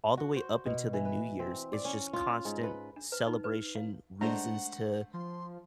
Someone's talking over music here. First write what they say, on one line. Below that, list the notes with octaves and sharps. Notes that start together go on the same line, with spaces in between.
all the way up until the New Year's, it's just constant celebration reasons to,
F#4
C5
B2
E3
B4
C4
D5
C#4
F4
G#2
B4
D4
B4
D#4
B4
F5
G#3 A3 D4 C5 F#5 A#5
F3 C6